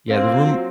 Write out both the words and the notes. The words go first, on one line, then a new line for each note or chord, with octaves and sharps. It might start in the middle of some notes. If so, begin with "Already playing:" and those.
Yeah, the room
A#3 C4
F4
F#3